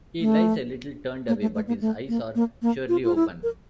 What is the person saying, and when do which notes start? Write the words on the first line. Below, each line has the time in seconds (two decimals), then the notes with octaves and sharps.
He lies a little turned away, but his eyes are surely open.
0.20 A3
1.28 A#3
1.41 A3
1.55 A3
1.68 A#3
1.81 A3
2.08 A#3
2.35 A#3
2.62 A#3
2.89 F4
3.04 F4
3.15 E4
3.43 A#4